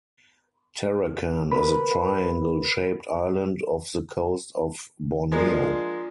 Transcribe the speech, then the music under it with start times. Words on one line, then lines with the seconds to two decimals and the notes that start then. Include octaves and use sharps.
Tarakan is a triangle shaped island off the coast of Borneo.
1.51 A#4 B4 B5
5.32 F3 G#3 A#3 D4